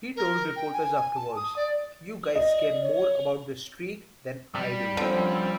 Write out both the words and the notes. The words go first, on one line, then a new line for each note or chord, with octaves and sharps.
He told reporters afterwards, You guys care more about the streak than I do.
A#4
G5
G#5
A5
D#6
D5
D5 D#5
C#5
G3
D3 F3 C4 C#4